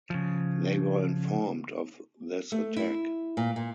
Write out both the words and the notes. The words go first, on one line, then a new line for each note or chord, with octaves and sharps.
They were informed of this attack.
C#3 F3
A3
E4
A#2
A#2